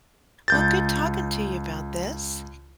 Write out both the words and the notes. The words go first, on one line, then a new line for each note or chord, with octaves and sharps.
Well, good talking to you about this.
C#2 G6 A6